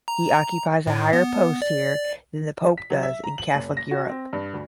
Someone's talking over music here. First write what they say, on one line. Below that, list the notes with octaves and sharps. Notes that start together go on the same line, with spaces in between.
He occupies a higher post here than the Pope does in Catholic Europe.
A#5
A2
B3
D5
B6
F#3
E5
A#5
F#7
F#1
A#6
F#4
C4
G2
D2